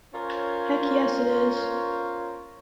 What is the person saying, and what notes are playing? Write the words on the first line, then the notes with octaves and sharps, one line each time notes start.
Heck yes it is.
C#4 F4 A#4 C5 C#5